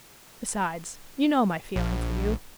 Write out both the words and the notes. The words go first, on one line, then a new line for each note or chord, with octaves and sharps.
Besides, you know my feeling for you.
A#1